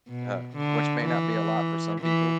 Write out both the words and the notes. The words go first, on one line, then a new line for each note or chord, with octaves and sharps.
uh, which may not be a lot for some people.
B2
D3
E3
E3